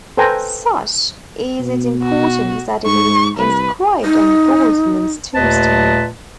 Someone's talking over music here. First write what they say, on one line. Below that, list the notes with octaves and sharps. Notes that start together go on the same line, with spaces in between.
Such is its importance that it is inscribed on Boltzmann's tombstone.
A4 B4 C5 G5 G#5 A#5
B2
F#4
G#2 C#6
C2 B4
D#4
D#2 A#2 A3 B4 D#5 A5